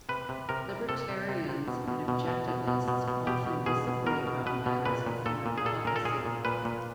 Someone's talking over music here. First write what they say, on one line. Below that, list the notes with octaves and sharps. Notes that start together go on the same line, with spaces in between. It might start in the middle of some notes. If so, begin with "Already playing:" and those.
Libertarians and Objectivists often disagree about matters of foreign policy.
C3 B4
C3
C3 A#4
C3
C3 A4
C3
C3
C3
B2
B2
B2
B2
B2
B2
B2
B2
B2 G4
B2
B2 G#4
B2
B2 A#4
B2
B2 B4
B2
A#2 B4
A#2
A#2 A4
A#2
G#4
A#2 A4
A#2 A#4
A4
A#2 G#4
A#2
A#2 B4
A#2